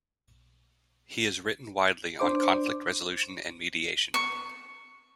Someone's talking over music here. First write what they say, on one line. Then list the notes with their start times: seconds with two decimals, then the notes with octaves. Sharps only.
He has written widely on conflict resolution and mediation.
2.20 D4 C5 D6
4.14 C#6